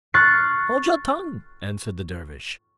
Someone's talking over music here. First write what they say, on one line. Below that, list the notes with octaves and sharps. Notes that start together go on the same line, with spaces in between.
"Hold your tongue," answered the Dervish.
C#6 F6 F#6 A6 C7